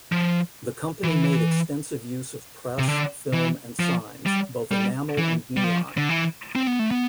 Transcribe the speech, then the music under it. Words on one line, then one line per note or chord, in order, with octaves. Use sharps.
The company made extensive use of press, film and signs, both enamel and neon.
F3
E3
C3
D3
E3
F3
G3
G3
E3
G3
F3
D3
E3
C4
B3
A3
B3